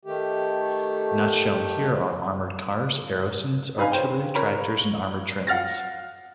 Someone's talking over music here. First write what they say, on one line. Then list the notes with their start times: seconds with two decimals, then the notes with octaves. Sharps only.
Not shown here are armoured cars, aerosans, artillery tractors and armoured trains.
0.05 D#3 A3 G4
3.78 D#4 B4 F5 G#5 B5
3.92 C5 C#5 G5
4.35 A#4 C#5 B5
5.47 F5 F#5 F6 A6 A#6